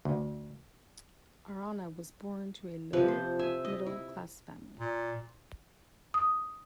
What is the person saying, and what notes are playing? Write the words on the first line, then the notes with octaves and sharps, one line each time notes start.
Arana was born to a lower-middle-class family.
D2
C3 F3 B4
C5
E5 G#5
D#5
E4
A#2
D#6